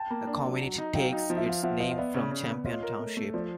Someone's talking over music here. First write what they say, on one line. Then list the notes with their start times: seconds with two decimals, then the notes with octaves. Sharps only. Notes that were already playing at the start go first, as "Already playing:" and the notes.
The community takes its name from Champion Township.
Already playing: G5 A5
0.11 A#3
0.27 D4
0.45 F#3
0.61 F#3
0.78 D#4
0.95 F#3 F5 G5
1.13 D#4
1.30 F3
1.37 E5
1.46 F3 F5
1.63 F3 E5 F#5
1.74 F#5
1.80 F3 D#5 F5
1.92 F5
1.97 B3 D5 E5
2.14 C#3
2.31 C#3
2.48 B3
2.65 F4 C#5 D#5
2.83 A#4
3.00 A3
3.17 A3
3.33 F3 C5 D5